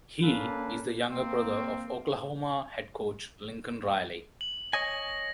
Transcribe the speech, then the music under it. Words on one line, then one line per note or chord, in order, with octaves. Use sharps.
He is the younger brother of Oklahoma head coach Lincoln Riley.
A#3 C#4 D4 A4 B4 F5
A#3 C4
F#7
C#5 D#5 G#5 A#6